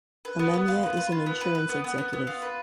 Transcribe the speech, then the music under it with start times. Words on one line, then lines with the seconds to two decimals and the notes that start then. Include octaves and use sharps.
Amemiya is an insurance executive.
0.25 B4
0.39 B3
0.54 B3
0.68 F4
0.83 B4
0.97 B4
1.12 F4
1.26 B3
1.41 B4
1.55 B4
1.69 B3
1.84 B3
1.98 B3
2.13 B3
2.27 F4
2.42 B4